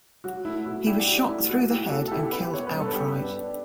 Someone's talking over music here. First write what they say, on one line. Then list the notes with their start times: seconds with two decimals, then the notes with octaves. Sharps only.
He was shot through the head and killed outright.
0.24 F#3 F#4
0.45 A3 E4
0.66 B2 F#4
0.87 D4 E4 G4
1.00 G4
1.08 F#3 F#4
1.28 A3 E4
1.50 A3 F#4
1.70 F#3 E4 G4
1.90 B3 F#4 A4
2.08 A4
2.11 B3 E4 G4
2.32 B3 G4 B4
2.53 B3 C#5
2.67 B4
2.73 G2
2.80 A4
2.92 B3 G4 B4
3.16 D4
3.36 D4